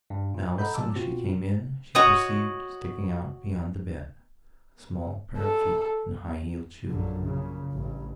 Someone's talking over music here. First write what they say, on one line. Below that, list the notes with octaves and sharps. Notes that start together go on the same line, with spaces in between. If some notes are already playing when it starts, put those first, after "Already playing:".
Now, as soon as she came in, she perceived, sticking out beyond the bed, a small pair of feet in high-heeled shoes.
G2
A#2
A4 D#5 F#5 A#5 B5 G6
A#2 F#3 A5 D6 E6
B2 C4 F4 F#4
F#4 C#5 D#5 D#6
A4
A#1 F#2 A#2 D3
A#2 C#3
A1 G2